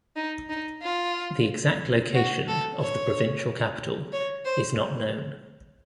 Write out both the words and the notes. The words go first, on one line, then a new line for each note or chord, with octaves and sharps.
The exact location of the provincial capital is not known.
D#4
D#4
F4
F#4
A4
C#5
C#5
C5